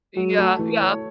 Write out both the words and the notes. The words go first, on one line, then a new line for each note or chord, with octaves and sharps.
Yeah, yeah.
F#3 F#4
A3
E3 A3
C#5